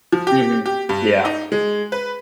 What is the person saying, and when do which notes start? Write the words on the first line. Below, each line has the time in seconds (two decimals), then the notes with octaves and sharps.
Mhm, yeah.
0.12 F3
0.27 G4
0.66 G4
0.89 G2
1.25 D#4
1.52 G#3
1.92 B4